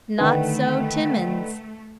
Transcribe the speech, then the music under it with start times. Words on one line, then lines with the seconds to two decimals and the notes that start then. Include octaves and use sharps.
Not so Timmans.
0.19 D3 D#3 A3 B4